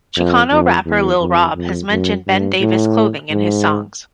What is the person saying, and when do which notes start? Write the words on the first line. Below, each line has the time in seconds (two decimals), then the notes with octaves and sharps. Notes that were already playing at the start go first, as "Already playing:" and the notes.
Chicano rapper Lil Rob has mentioned Ben Davis clothing in his songs.
0.16 F2
0.51 F2
0.86 E2
1.21 F2
1.56 F2
1.91 F#2
2.26 G2
2.60 A2
3.31 G#2